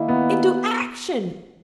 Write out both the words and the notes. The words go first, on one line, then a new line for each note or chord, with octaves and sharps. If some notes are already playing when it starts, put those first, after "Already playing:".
Into action!
Already playing: D#3 A#3 E4
B3